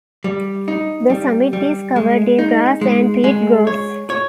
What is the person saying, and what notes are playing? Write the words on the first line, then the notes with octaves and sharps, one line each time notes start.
The summit is covered in grass and peat groughs.
G3
D#4
G3
G3
G#3
D#4
G#3
G#3
C#5
C#5